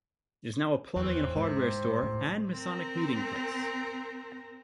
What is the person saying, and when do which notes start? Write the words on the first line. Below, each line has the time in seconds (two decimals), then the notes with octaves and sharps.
It is now a plumbing and hardware store and Masonic meeting place.
0.96 E2 C#3 E3 C4
1.36 G#2 C3
2.03 A2
2.53 C4 A#4